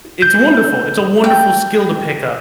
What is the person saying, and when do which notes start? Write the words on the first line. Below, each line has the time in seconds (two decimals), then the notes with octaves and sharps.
It's wonderful. It's a wonderful skill to pick up,
0.22 G6
1.24 G5